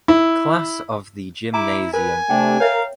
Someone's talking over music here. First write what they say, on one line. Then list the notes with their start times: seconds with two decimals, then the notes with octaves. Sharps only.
Class of the gymnasium.
0.08 E4
1.54 E4 A#5 D6
1.94 A#4 B4 G#5
2.30 C3 A3 D4 G5
2.60 A#4 C#5 E5 F5